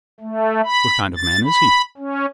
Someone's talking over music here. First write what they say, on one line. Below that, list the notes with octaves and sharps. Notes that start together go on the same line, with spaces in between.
"What kind of man is he?"
A3
B5
A6
B5
C#4